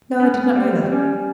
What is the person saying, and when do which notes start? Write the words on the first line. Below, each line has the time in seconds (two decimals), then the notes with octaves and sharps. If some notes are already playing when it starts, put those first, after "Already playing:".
"No, I did not know that."
0.20 B3 C#4
0.56 G3
0.91 G3 C#4